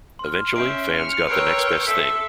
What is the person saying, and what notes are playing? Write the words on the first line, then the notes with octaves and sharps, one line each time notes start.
Eventually, fans got the next best thing.
C6 F6
C#4 E5 G6 C7 D7
F6 C#7
A#4 B4 C#5 G5 E6 F6 C7 D7
A4 E5 E6 B6